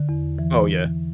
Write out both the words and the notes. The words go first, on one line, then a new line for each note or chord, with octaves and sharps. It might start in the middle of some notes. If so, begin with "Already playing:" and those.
Oh, yeah.
Already playing: D3
E2
E3